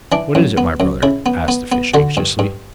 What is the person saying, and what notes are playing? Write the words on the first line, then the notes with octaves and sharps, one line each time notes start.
'What is it, my brother?' asked the fish anxiously.
E3 D4
F#2
B3
F#2
C#3 E4
B3
B3
B3
D3 F#4
G2
G2